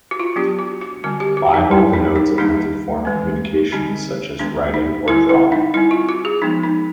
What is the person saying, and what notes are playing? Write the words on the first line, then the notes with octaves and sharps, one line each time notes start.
Libel denotes a printed form of communication such as writing or drawing.
F#4
F4
F#3 B3 D4 G4
F#4
F#4
D3 G3 C4 F#4
G4
F#4
D#4
G3 C4 E4
D#4
D#4
D#3 G3 A#3 D4 D#4
E3 G#3 C4
D3 G3 C4 D#4
D#3 G#3 B3 D4
D#4
D3 G3 C4 E4
E4
D#4
G3 C4 E4
F4
F#4
G#4
F3 G#3 B3 D#4
D#4